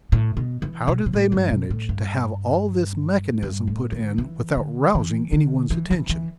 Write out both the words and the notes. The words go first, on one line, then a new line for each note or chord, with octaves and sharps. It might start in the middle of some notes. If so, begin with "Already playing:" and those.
How did they manage to have all this mechanism put in without rousing any one's attention?
A2
B2
E3
B2
B2
A2
G2
B2
A2
G2
G2
A2
D3
E3
D3
E3
D3
E3
E3
E3